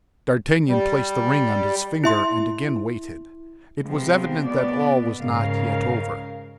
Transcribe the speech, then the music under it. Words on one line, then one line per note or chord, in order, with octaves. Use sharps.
D'Artagnan placed the ring on his finger, and again waited; it was evident that all was not yet over.
G3
E4 E5 C6
C3 F3 G#3 B3 C4
B2 B3 D5
G#2 C#3 A#4 F5